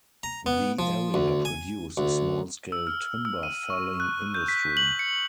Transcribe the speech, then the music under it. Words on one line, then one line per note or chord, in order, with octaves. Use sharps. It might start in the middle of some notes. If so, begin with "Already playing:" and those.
The area produced a small scale timber felling industry.
A#5
B3
F3
D2
G#5
D2
E6
F6
E6
D#7
C#6
F#6
G6
B6
F#7
C#7